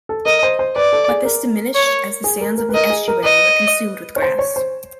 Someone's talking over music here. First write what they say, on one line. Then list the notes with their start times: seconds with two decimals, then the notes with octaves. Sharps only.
But this diminished as the sands of the estuary were consumed with grass.
0.09 A4
0.26 A#4 D#5
0.43 C5
0.59 C5
0.76 B4 D5
0.93 A4
1.08 G#4
1.25 A#4
1.75 C#5
2.24 G#4
2.41 A#4
2.58 A#4
2.69 B4
2.74 A#4 D#5
2.90 G#4
3.08 A#4
3.24 B4 D#5
4.16 C#5
4.22 C5
4.39 C#5
4.56 C5